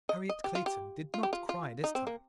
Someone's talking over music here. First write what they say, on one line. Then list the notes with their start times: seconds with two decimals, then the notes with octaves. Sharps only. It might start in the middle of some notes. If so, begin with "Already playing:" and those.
Harriet Clayton did not cry this time.
0.09 D#5
0.29 D#5
0.44 G4
0.55 F4
0.66 G4
1.14 F4
1.23 G4
1.33 F4
1.49 F4
1.84 D#4
1.95 C4
2.07 A#3